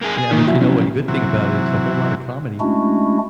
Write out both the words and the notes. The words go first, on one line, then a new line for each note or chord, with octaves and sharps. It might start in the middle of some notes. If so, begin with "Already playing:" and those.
Yeah, but, you know what, the good thing about it it's a whole lot of comedy.
A#3 G#4
G#4
D#3 E3 A#3 D#4
B1 F2 E4 F#4 E5
B3 C#4 E4
C3 E3 F#3
G#3 A3 C#4 D4 E4 F#4